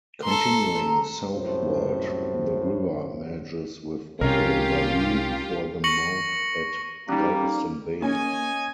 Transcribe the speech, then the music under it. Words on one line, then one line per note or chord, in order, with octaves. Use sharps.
Continuing southward, the river merges with Buffalo Bayou before the mouth at Galveston Bay.
A4 A#5 C6
C2 F#2 A2 C5
C2 C3 C#4 F4 G4 A#4
C#6 A#6 C#7 F#7
G3 A#3 C#4 D#4
A#3 C#4 C#5 D#5 G#5